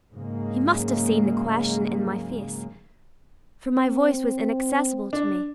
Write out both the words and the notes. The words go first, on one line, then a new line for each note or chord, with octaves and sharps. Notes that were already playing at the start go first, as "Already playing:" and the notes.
He must have seen the question in my face, for my voice was inaccessible to me.
G#2 C#3 F#3 G#3 A#3
C4
D4